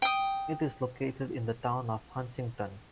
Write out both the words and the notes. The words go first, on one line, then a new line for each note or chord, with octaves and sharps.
It is located in the town of Huntington.
G5 D#6